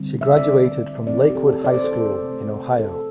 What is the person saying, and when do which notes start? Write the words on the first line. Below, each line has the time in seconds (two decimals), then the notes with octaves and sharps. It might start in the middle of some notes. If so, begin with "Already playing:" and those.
She graduated from Lakewood High School in Ohio.
Already playing: D3 G3 C4
0.21 E5
0.36 D5
1.07 E3 C4 D5
1.30 G4
1.35 A4
1.65 D5
1.74 C5
1.84 A4
1.95 C5
2.22 C3 A3 C4
2.79 A4